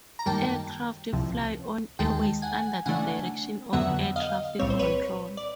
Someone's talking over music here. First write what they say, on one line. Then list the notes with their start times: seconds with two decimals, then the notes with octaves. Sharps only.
Aircraft fly on airways under the direction of air traffic control.
0.19 A#5
0.26 F#2 D#3 G3 A#3 G5 A5
1.13 C2 C3 F3
1.99 D#2 D#3 G#3 G5 A5
2.42 F#5 G#5
2.86 C#3 E3 A3 D4 F#5 G#5
3.73 F2 D3 F#3 B3 E5 F#5
4.16 D#5 F5
4.59 C2 A#2 G3 C4 C#5
4.70 C5
4.79 B4 C#5
5.37 D5